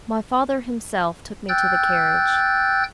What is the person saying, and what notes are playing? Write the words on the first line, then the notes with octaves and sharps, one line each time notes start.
My father himself took me to the carriage.
G5 E6 F#6 G6 A6